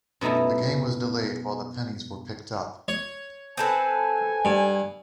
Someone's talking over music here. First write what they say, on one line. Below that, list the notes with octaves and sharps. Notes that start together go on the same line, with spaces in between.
The game was delayed while the pennies were picked up.
F#2 B2 A3 D#4 E4
C#5
C4 A4 B4 G#5
G2